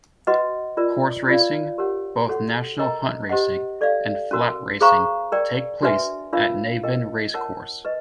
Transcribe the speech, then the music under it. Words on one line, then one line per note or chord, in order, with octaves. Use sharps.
Horse Racing, both National Hunt racing and Flat racing, take place at Navan Racecourse.
F#4 B4 D#5 F#5
F4 A#4 D5
F4 A#4 D5 F5
G4 A#4 C#5 F#5
F#4 A4 C#5 F#5
A#4 D#5 G5 A#5
G4 C5 D#5 F#5
A4 D5 F5
C#4 F#4 A#4
G#4 C5 F5 A#5 C#6
A#4 D5 G5
D4 F#4 B4 E5 G#5
D4 F4 A#4 C#5 F5
A#4 D#5 G5
A#4 C#5 F#5 A5
B4 D#5